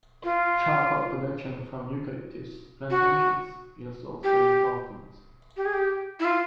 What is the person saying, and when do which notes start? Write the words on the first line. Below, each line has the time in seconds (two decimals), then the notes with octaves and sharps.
Charcoal production from eucalyptus plantations is also important.
0.24 F4
2.90 F#4
4.24 G4
5.57 G4
5.65 G#4
5.73 G4
6.20 E4
6.25 F4